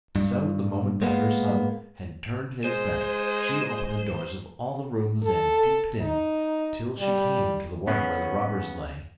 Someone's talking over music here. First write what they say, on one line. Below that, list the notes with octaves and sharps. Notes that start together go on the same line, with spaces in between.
So the moment that her son had turned his back, she opened the doors of all the rooms, and peeped in, till she came to the one where the robbers lay.
G2
G#3 A#3 B3
G#3 C5
A4
D#4
G3
C#3 B3 C#4